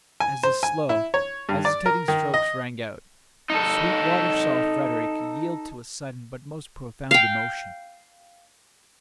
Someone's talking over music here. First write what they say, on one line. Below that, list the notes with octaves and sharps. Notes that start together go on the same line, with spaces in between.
As the slow, hesitating strokes rang out, Sweetwater saw Frederick yield to a sudden but most profound emotion.
G#5
C5
G#5
E4
C#5
G2
D5
A#4
D#3
D#5
D#4 A4
F5 G5